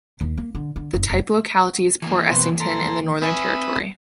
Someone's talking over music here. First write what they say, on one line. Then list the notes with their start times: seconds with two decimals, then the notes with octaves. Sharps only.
The type locality is Port Essington in the Northern Territory.
0.21 D#2
0.38 A#3
0.55 D3
0.76 D3
0.93 F#1
1.10 F1
2.02 E3 A#3
2.31 B2 C4
2.60 A4 A#5 C6
3.22 C4 B4 E5 G#5 D#6